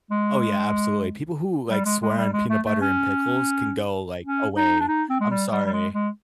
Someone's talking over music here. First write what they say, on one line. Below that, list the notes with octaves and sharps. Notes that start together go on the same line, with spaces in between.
Oh, yeah. Absolutely. People who, like, swear on peanut butter and pickles can go, like, away. I'm sorry.
G#3
G3
G#3
G#3
G3
G#3
A3
A3
C#4
C#4
D#4
D4
D#4
C4
G#3
G3
G3
G3
G#3
G#3